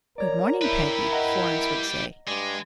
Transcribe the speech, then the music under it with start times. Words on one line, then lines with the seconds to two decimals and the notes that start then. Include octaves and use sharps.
"Good morning, Peggy!" Florence would say.
0.18 A#4 C#5 D5 A#5
0.62 E4 G4 B4
1.12 D#5 F#5 A#5
2.27 G2 G#3 D5